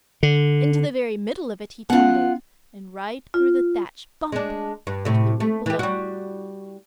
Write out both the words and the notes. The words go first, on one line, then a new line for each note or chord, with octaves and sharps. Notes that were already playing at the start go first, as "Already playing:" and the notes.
Into the very middle of it he tumbled, and right through the thatch--bump!--into the room below.
D3
B3 C#4 F4 F#5
F4
G#3 D4
G2
A2 C3
A3
E3 G4
G3 F#4